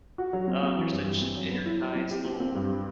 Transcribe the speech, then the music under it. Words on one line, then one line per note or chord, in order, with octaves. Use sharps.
Oh, they're such energized little
F#4
F#3
C4
C4
E3
G2
G2
C4
F#3
B3
E4
F#3
C4
G4
C4
C4
G2